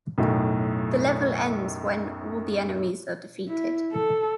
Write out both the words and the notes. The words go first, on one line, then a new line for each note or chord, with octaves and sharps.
The level ends when all the enemies are defeated.
B1 F#2 A2
E4
A4